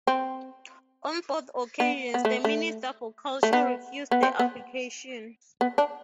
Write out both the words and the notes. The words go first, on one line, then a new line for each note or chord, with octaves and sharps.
On both occasions the Minister for Culture refused the application.
C4
B3
B3
A3
A3
A3
B3
B3
C4
B3
B3
D4